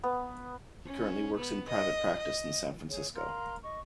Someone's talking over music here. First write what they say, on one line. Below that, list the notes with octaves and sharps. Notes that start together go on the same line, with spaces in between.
He currently works in private practice in San Francisco.
B3
C#4
B3
D#5
D#5
G#4 C#5
A#4 F5 A#5 C6
D#5 C#6